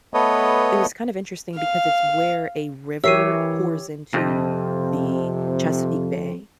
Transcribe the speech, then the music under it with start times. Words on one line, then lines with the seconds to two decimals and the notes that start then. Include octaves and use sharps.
it was kind of interesting because it's where a river pours into the Chesapeake Bay,
0.14 A3 B3 A4 B4 C#5 D#5
1.55 F5
3.04 E3 G4 A#4 C#5 E5 E6 C7 D#7
4.14 F2 C3